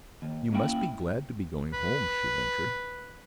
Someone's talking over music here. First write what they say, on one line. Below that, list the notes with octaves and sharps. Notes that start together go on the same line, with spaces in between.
"You must be glad to be going home," she ventured.
D#2
A#3 C#4 E4 G5
B4